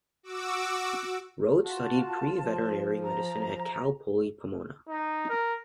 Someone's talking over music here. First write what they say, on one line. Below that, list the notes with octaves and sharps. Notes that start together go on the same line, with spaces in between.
Rhode studied Pre-veterinary medicine at Cal Poly Pomona.
F#4 D6 E6
F4 F#4 A5
F3
A#5
D#4
A#4